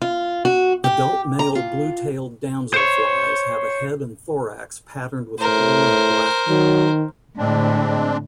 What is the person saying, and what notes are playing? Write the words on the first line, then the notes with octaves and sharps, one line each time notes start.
Adult male blue-tailed damselflies have a head and thorax patterned with blue and black.
F4
F#4
G4
A#5
F4
C5 C#5
A2 A#4 C5
D#3 F#3
A2 D3 G#3 C4 D4